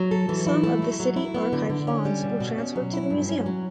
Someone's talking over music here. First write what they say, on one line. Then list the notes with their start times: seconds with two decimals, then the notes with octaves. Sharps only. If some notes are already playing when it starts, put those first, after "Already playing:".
Some of the city archive fonds were transferred to the museum.
Already playing: F#3
0.11 A4
0.29 E3
0.47 E4
0.63 A3
0.82 F#3
1.00 F#3
1.16 E4
1.34 B3
1.53 D3
1.70 D3
1.87 C#4
2.05 G3
2.22 B2
2.40 B2
2.58 C#4
2.76 F#3
2.93 E4
3.10 G2
3.29 C#4
3.46 F#3